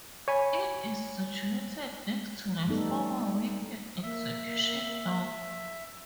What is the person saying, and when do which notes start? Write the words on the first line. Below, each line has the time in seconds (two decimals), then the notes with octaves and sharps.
It is situated next to the former Wapping Execution Dock.
0.28 C#5 G#5 B5
2.67 G3 A3 B3 D#4 A4
4.03 A#3 E5